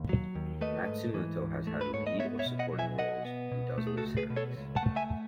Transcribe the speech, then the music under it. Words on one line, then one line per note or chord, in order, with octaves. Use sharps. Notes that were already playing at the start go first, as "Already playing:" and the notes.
Matsumoto has had lead or supporting roles in dozens of series.
Already playing: D#2
F#3
D#2
A3 B4 D#5
G#2
E3
G#2
A3
B4
G#2 C#5
D#5
B3 C#5 E5
C#5 E5
B2
D#5 F#5
F#3
E5 G#5
B2 D#5 F#5
B3
B2
A3
G#4
F#4 A4
C#2
G#4 B4
B2
A4 C#5
C#2
F#5 A5
A3
E5 G#5